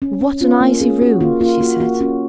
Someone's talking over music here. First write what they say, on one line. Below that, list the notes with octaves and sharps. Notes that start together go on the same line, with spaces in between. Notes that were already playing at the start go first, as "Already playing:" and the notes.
'What an icy room!' she said.
C#4
C#4
C#4 F4
A#3
C#4 G#4
C#4 F#4
A#3 F4
A#3 F4
A#3 F#4
A#3 F#4
C#4 F#4